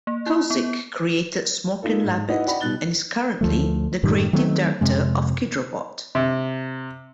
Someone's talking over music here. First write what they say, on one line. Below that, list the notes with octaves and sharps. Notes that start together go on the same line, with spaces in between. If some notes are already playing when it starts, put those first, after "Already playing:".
Kozik created Smorkin' Labbit and is currently the Creative Director of Kidrobot.
A#3
E4
B3
A#3 D#4 F4 A4
G#2
D#4 E4 F#4 B4 D#5 F#5
F#4 D5 D#5 F#5 G5 B5
B2 G3 D#4 F#6 A6 G7
D2 F3 A3
F#2 A2 D#3 G3
D#3 F#3 A3 C4
F2 C3 G#3
C3